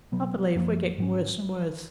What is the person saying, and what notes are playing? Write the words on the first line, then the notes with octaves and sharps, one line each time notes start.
I believe we're getting worse and worse.
B2 F#3 B3
F#2 F3 A#3
G#2 F#3 C#4